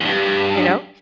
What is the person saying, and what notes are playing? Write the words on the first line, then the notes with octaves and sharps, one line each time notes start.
you know?
E2 G2